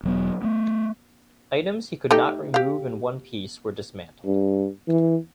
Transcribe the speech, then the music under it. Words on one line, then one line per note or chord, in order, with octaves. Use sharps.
Items he could not remove in one piece were dismantled.
E1 F#3 B3
A3 B3
A3 D#4 G4
G4 F5
G2
E3